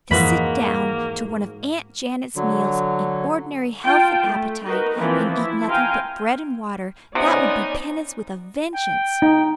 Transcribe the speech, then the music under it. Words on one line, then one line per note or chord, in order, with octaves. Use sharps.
To sit down to one of Aunt Janet's meals, in ordinary health and appetite, and eat nothing but bread and water--that would be penance with a vengeance!
F2 G#2 E3 A#3 F#4 B5
D3 F#3
F4 G5 A5
A3
D#4 F#4 A#4 B4
E3 F3 A#3 C4 D4
E4
F5 G5 G#5 A#5 C6
C3 B3 C#4 D#4 C5 D5 G#5
G5
D#4